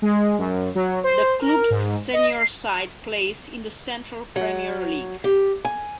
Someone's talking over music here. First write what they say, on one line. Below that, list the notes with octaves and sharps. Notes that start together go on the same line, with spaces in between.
The club's senior side plays in the Central Premier League.
G#3
F#2
F#3
C5
A#4
G#2
D#5
C7
F#3
G4
G#5